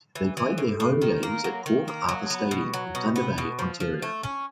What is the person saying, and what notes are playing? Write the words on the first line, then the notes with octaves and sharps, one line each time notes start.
They played their home games at Port Arthur Stadium in Thunder Bay, Ontario.
E3
E3
A2
A2
D#3
A#3
F#3
D#3
A#3
F#3
B3
B2
F#3
B2
B3
B2
F3
F3
A3
C#4